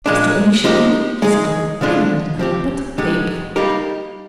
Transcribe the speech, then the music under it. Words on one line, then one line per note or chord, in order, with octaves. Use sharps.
As to Elisha Finney, he's glum, I don't deny, but faithful!
A#2 G#3 D4
F3 G#3 D#4 G4 A#4
G#3 D#4 G#4
D3 F3 G#3 D4 F4
F3 C4 G4
D3 G#3 D#4 G4
G3 A#3 D#4 G4 A#4